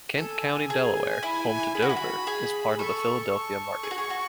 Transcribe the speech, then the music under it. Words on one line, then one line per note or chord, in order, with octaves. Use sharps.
Kent County, Delaware, home to Dover, is part of the Philadelphia market.
A4 G#5
G#4
E4
G#4 B5
F#4
E4
F#4
G#4
A4 C#6
C#6
G#4
F#4
G#4
F#4